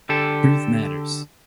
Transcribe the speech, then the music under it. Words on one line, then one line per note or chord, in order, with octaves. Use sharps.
Truth matters.
D3 G4 A4